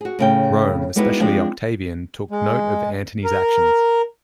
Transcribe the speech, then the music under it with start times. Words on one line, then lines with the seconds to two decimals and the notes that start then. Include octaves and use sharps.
Rome, especially Octavian, took note of Antony's actions.
0.01 F#4 G#4
0.19 A2 C#3 G5
0.96 G3 G#3 B3 D#4 E4 F#4
1.20 F3 G#3 C4 D4 D#4
2.31 G#3
3.24 A#4